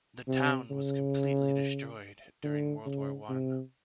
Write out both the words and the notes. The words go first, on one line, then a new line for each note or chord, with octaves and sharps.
The town was completely destroyed during World War One.
C3
C#3
D3
C#3
C3